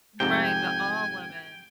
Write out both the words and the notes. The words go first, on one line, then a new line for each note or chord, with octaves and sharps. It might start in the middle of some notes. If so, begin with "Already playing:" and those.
Right. But all women.
F2 G#2 C3 G5 G#5